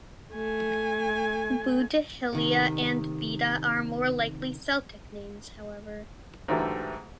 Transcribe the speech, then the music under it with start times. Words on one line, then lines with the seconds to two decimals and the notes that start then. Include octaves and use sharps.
Boudihillia and Beda are more likely Celtic names however.
0.33 A3 G#5
2.33 C3 D#3
6.48 G#2 D3 E3 F#3 G3 A3